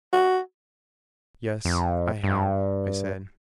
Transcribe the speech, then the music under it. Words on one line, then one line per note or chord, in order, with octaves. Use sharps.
"Yes, I have," I said.
F#4
F2
G2